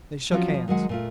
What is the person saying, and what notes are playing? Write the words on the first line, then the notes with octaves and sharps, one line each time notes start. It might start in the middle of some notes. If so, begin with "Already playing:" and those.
They shook hands.
F3 F#3 C4 C#4 F4 F#4
F3
D#3 F#3 G#3 F#5
A#2 A3 F4